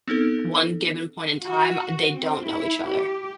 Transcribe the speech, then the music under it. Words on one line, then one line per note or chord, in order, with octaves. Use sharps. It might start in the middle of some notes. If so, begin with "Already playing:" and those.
one given point in time, they don't know each other.
B3 C4 D#4 A4
F#4
C4
E4
G4